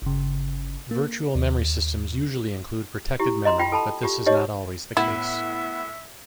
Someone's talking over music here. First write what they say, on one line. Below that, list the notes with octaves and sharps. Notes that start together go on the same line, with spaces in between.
Virtual memory systems usually include protected memory, but this is not always the case.
G1 C#3
A#3
D#2
E4 G4
D#5 A#5 C6
F4 G5 B5
A4 A5 B5
F4 G4
D#4 G4 C#5 D#5
A2 B3 E4 E5